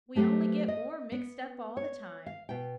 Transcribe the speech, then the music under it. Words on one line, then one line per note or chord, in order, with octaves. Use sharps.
We only get more mixed up all the time.
F#3 A3 G4 B4 C5
D#5
B3
C#5
F5
B2 G5